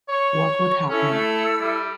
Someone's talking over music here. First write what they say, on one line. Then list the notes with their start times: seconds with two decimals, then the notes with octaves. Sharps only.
What would happen?
0.09 C#5 C#6
0.90 C#4 E4 A4 E6
1.11 A3
1.60 G3